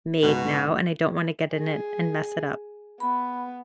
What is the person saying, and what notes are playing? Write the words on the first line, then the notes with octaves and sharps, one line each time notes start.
made now, and I don't wanna get in it and mess it up.
C#2 G#2 B2 F#4
G#4
B3 B5